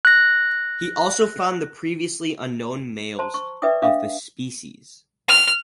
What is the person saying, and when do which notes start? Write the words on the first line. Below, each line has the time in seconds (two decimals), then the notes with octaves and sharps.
He also found the previously unknown males of the species.
0.05 F#6 A#6
3.19 C5 A5 A#5 C6
3.34 C#6
3.62 B4 D5 E5 G5 D6 D#6
3.82 D4 E5 F5 G5 D#6
5.28 F6